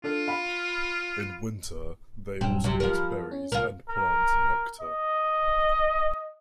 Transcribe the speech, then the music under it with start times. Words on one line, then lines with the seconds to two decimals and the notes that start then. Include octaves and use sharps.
In winter, they also eat berries and plant nectar.
0.04 D4 F4 A4
0.28 F5 B5
2.41 A#1 G2 F#3 C4
2.64 C3
2.80 F3 A#4
2.95 B5
3.31 C#4
3.52 C2 F4 A#4
3.89 A#4
4.81 D#5